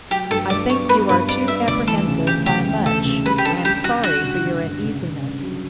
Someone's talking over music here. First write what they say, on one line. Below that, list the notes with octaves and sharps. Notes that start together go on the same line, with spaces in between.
'I think you are too apprehensive by much; I am sorry for your uneasiness.
F#3 G4
G2 A4
G2 D5
B3 C#5
B3 B4
G2 B4
B3 D5
B3 E5
D2 D5
E3 A4
C#3
D2 G4
C#3 G4
D2
C#3 A4
C#3
G3 B4
G4
D4 A4
G3 G4
G3 F#4
D4 F#4
D3
D3
G2
C#3
C#3
C#3
F#3